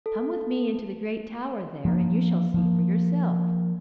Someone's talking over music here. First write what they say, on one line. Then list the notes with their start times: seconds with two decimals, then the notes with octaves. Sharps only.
"Come with me into the great tower there, and you shall see for yourself."
0.06 A4
1.85 F3 A#3 D4
2.54 F3 A#3